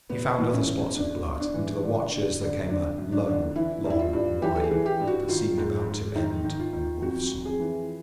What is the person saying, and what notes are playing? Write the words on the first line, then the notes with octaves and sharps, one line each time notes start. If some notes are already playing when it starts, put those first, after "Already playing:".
He found other spots of blood, and to the watchers there came a low long whine that seemed about to end in the wolf song.
E2 B3
E3
C#4
E2
E2 D4
E2
D4
E3
D3
D3
D3
D3 D4
F#2
D4
D3
E3 E4
G2 E4
F4
G2
E3 G4
A4
G#4
E3
G4
G2
F#4
D#3 F4
G#2
G#2
D#3 D#4
D#3
F4
D#3
F2 F#4
F2
G#4
E3